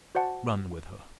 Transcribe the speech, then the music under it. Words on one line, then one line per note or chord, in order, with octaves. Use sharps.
Run with her.
F#4 C5 D5 F#5 A5